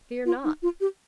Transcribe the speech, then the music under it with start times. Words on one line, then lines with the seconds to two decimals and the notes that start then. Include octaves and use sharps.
"Fear not!"
0.26 F4
0.44 D#4
0.63 F4
0.81 G4